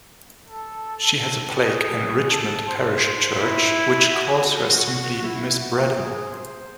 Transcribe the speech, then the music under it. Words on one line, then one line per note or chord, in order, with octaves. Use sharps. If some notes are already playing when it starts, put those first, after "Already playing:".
She has a plaque in Richmond parish church which calls her simply 'Miss Braddon'.
A4
A4
G#4
A4
C5
C5
E4
F#4
E4
F#4
G#4
C5